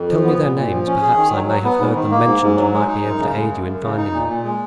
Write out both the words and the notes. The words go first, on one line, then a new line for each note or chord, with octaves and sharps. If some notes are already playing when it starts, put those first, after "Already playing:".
"Tell me their names; perhaps I may have heard them mentioned and might be able to aid you in finding them."
Already playing: F2
F3
B3
A#2
A#2
F3
C#4
G#4
D#3
F#3
F#3
B3
G#2
D#3
A#3
G#2
G#2
F#3
G#3
D#4
F#2
C#3
G#3
F#2
F#2
C#3
D#4
A#2
A#2
G#3